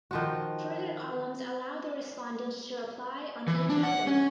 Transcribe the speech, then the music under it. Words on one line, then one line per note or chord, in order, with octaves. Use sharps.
Further columns allow the respondent to reply on each item.
D#3 F3 F#4
E3
D4
F#5
C#4